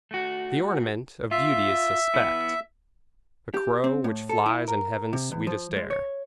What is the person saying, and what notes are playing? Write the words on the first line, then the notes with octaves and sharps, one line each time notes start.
The ornament of beauty is Suspect, A crow which flies in heaven's sweetest air.
A3 F#4
F4 E5
B3 E4
G4
C4
A2
A4
E4
A#4
C3
E2
F3
G#3
C#5